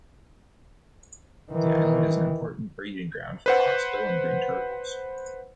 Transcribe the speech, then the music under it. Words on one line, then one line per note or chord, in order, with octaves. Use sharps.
The island is an important breeding ground for hawksbill and green turtles.
D#3 E3
B4 C5 F#5